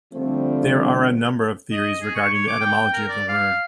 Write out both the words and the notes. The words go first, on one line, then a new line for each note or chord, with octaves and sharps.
There are a number of theories regarding the etymology of the word.
D3 F3 G3 A3 C4
D#5
G#4
C#6
C#5
D6
G5
A#4
D5
F5